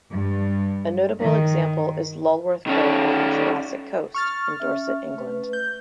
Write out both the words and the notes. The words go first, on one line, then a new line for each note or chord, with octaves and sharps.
A notable example is Lulworth Cove on the Jurassic Coast in Dorset, England.
G2
D#3
D#3 C#4
C#6 F6 A6
C#4 E5
A3 B4
G6